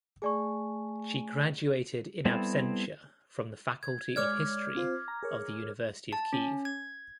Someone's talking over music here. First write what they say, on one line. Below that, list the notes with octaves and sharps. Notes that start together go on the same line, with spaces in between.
She graduated in absentia from the Faculty of History of the University of Kyiv.
A3 G#4 D5 G#5 C#6
G3 B3 C4 E4 A4
G#6
G#3 C#5 D5 D6 F6 G#6
C4 F4 C5
A#5
G#4 A#4 C#5
A5
C#4
G#6